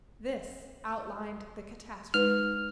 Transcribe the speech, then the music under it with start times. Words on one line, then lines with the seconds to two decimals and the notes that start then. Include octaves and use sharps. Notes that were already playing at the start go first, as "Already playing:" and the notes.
This outlined the catastrophe.
2.14 G#3 D#4 B4 F6